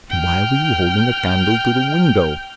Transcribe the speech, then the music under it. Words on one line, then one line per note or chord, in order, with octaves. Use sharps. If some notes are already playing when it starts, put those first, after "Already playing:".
"And why were you holding a candle to the window?"
G5 F6